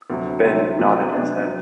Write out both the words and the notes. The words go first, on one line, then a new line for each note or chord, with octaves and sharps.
Ben nodded his head.
D2 C3 F#3
C3 F#3 C4 E4
E2 C3 F#3 A3
C3 F#3 B3 D4
F#3